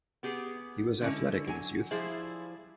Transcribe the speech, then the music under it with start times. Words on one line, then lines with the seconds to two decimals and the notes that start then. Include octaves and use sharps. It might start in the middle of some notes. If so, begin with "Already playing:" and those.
He was athletic in his youth.
0.23 B3 G4 G#4
1.01 D3 G#3 C#4 E4
1.47 F#3 G#5
1.91 F3 G3 E4 G#4 C5